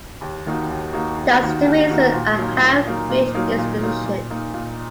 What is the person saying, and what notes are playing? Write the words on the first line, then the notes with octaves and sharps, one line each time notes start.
That's the reason I have reached this decision.
D#2
D#3 A#3 D#4 F#4
D#2
D#3 A#3 D#4 F#4
D#2
D#3 A#3 D#4 F#4
D#2
D#3 A#3 D#4 F#4
A#2
F#3 A#3 D#4
A#2
F#3 A#3 D#4
A#2
F#3 A#3 D#4
A#2
F#3 A#3 D#4
A#2
A#3 D#4
A#2